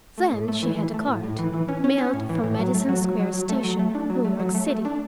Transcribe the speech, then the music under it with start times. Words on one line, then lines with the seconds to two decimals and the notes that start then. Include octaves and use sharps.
Then she had a card, mailed from Madison Square Station, New York City.
0.18 A3
0.33 A2
0.48 A3
0.63 E3
0.78 E3
0.94 A3
1.08 A2
1.23 A2
1.39 E3
1.54 E3
1.68 C#4
1.84 C#4
1.98 C#4
2.14 A2
2.29 E3
2.44 A2
2.59 F#3
2.74 A3
2.89 F#3
3.04 F#3
3.19 F#3
3.34 F#3
3.49 A3
3.64 F#3
3.79 A3
3.95 D4
4.10 F#3
4.25 A3
4.40 F#3
4.55 A3
4.70 A3
4.85 D4